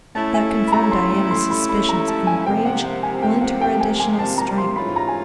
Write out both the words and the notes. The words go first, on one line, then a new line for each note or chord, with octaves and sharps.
That confirmed Diana's suspicions and rage lent her additional strength.
A3 C#4 E4 A5
G#5
B5
A#5
C6
C6
C6
B5
B5
A#5
A5
G#5
C3 F3 A#3 G5
F#5
F#5
G#5
G5
F#5
G5
G#5
G#5
A5
A#5
C6
G#2 E3 A3 C#4 F4 B5
A#5
G#5